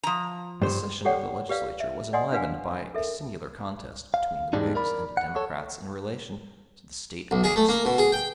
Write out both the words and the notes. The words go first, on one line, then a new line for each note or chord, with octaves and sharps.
This session of the Legislature was enlivened by a singular contest between the Whigs and Democrats in relation to the State banks.
F3 A#5
G2 C5
G4 A4 C#5 D5 F#5 G5
G4 B4 D5 F5
E5
D5 D#5 F#5 G#5 C6 D#6
D4 B4 F5 F#5 G#5
A4 A#4 E5
F5
E2 G#2 G3 G#3 D4 D#4
A#4 D5 B5
F#5
A4 C#5
B1
G#4
A3
A#3
B2
G#4
G5